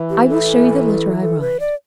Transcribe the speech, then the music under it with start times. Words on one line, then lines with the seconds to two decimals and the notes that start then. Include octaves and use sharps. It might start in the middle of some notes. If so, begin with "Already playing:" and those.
"I will show you the letter I write."
Already playing: E3
0.10 G4
0.29 A4
1.22 A4
1.41 B4
1.60 D5